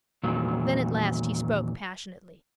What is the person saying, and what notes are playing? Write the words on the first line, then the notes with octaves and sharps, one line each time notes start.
Then at last he spoke passionately.
E2 A#2 D#3 F#3